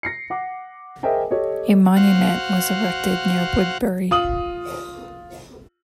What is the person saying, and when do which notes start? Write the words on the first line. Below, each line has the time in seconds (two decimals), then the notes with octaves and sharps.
A monument was erected near Woodbury.
0.03 A#6 C7 C#7
0.30 F#5 D6
1.03 G#4 A#4 C5 D#5 E5 G5
1.31 G4 A4 C#5 D#5
1.97 F#4 C5 F5 F#5
4.11 F4 D#6 F#7